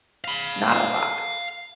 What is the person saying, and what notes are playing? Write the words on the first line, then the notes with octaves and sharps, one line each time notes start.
not a lot.
F5 B5